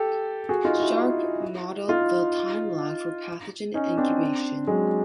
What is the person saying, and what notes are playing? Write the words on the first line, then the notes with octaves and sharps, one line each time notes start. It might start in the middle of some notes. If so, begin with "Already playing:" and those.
Sharpe, modeled the time lag for pathogen incubation.
Already playing: G4 A4
F#4 G#4
D#4 F4
E4 F#4
D#4 F4
C#4 D#4
C4 D4
F#3 G#3